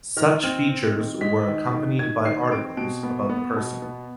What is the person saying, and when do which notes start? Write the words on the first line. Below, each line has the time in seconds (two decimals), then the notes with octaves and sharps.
Such features were accompanied by articles about the person.
0.17 D#3 F6
0.43 C4 F6
0.69 C4
0.95 D#3
1.21 G#3 B6
1.47 D#3
1.73 D#3
1.99 D#3 G#6
2.25 D#3 C7
2.52 C4 D7
2.77 B2 D7
3.03 B3
3.29 B3
3.56 B2
3.82 B3